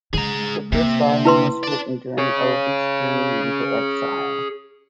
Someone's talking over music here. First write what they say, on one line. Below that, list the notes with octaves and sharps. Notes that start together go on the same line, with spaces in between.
The first volume was written during Ovid's journey into exile.
C#3 G#3 G#4 A#5
C3 A#3
E4 B4 C6
D5 A5
G#4 C#5